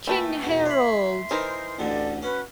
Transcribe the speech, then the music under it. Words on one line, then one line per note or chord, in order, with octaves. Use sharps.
"King Harald!"
A#2 E3 A3 B4 G5
B1 E2 B2
C#5 E5 B5 C6
E3 D#4 A#4 C5
A1 D2 D3 A4 D5
C#4 F#4 B4